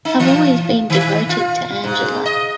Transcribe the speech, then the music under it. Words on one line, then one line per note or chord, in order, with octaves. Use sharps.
I've always been devoted to Angela.
D#4
E3
D#3
F4
G#2
D#5